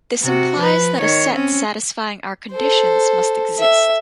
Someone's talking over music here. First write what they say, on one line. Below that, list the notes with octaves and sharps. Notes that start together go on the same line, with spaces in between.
This implies that a set satisfying our conditions must exist.
C3 F#4
F3 B4
D#3 C#5
C4 C#4
A4 C5
E5